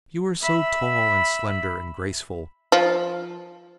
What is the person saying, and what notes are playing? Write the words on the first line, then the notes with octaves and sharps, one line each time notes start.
You are so tall and slender and graceful.
E5 B5
F3